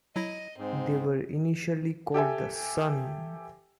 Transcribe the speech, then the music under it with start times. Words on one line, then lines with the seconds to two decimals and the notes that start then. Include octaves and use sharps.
They were initially called Sun..!
0.16 F#3 E4 D#5 A#6
0.58 G#2 C4
2.14 G4 A4 E5 G#5